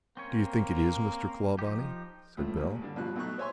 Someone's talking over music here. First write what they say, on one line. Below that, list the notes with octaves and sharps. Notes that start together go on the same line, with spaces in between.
"Do you think it is, Mr. Clawbonny?" said Bell.
A#3 C4 C#4 C#5
F3 D#4 G4
C#2 A2 F3 A3
A1 D#2
G2 D3
A1 B2 F3 F#6
B1 B2 A3 D#4 C#6 F#6
C5 C#5 E5 G#5 C6 C#6